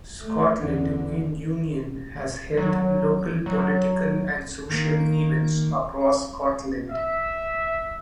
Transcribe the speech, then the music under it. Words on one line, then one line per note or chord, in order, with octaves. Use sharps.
Scotland in Union has held local political and social events across Scotland.
A3
E2 D3
F#3
F#3
D#3 A#3
E5